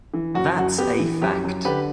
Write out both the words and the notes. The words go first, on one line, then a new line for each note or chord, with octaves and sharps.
That's a fact.
E3
F#2 F#4
F#2 F#4
B3 G4
E3
F#2 G4
F#2
D3 G4 B4